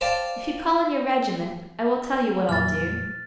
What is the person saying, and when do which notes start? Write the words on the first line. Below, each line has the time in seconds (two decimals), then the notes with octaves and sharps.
If you call in your regiment I will tell you what I'll do.
0.01 C5 D5 F5 G5 A5
2.49 F2 A#2 F#3 F6 A6